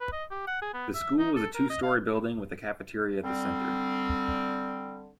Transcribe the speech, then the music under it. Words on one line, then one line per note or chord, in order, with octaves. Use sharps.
The school is a two-story building with a cafeteria at the center.
B4
D#5
G4
F#5
G#4
B3
E5
D#4
A4
A#4
D#5
F5
D3 G3 C4